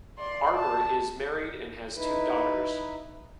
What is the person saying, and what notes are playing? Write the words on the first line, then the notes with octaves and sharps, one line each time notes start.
Arber is married and has two daughters.
D5 C6
A5
D#4 E4 B4